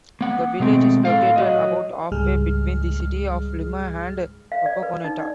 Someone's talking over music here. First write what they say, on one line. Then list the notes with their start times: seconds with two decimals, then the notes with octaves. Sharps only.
The village is located about halfway between the cities of Lima and Wapakoneta.
0.21 A#3 F#5
0.60 B2 G#3 A3 C4
1.05 A2 A4 F5
1.36 F#3 F#4 D#5
2.12 C#2 G#2 G3 G#3 G#4 F6
4.52 F5
4.66 D5
4.82 B4
5.04 D#4
5.20 D5